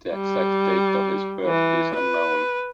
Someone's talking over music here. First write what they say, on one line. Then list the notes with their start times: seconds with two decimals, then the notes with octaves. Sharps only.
The exact date of his birth is unknown.
0.13 G3
1.46 E3
1.95 B4